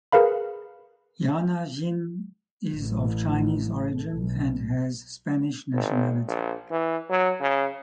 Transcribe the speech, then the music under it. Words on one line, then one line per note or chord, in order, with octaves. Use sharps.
Jana Xin is of Chinese origin and has Spanish nationality.
G#4 A#4 B4 F5 B5
A1
B1
G#1
A#1
E3
F#3
C#3